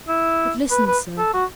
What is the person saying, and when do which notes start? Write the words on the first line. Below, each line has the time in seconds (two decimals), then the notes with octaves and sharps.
But listen, sir.
0.08 E4
0.71 B4
0.87 B4
1.18 A4
1.34 F#4